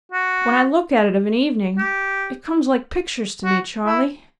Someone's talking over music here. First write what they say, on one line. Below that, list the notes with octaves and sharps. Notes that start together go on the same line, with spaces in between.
When I look at it of an evening, it comes like pictures to me, Charley.'
F#4
G4
F#4
E4